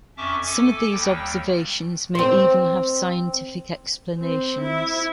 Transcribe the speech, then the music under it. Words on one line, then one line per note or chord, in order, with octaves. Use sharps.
Some of these observations may even have scientific explanations.
F2 C#4 E5 A5 C#6 D6
A4 G#5 D6
D#2 G3 G5
C4 C5
C4
E4